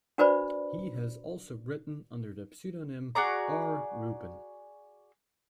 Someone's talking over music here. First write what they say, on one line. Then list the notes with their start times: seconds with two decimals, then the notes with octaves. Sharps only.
He has also written under the pseudonym R. Rupen.
0.18 D4 F#4 B4 C5 D5 B5
3.15 F#4 G#4 D5 A#5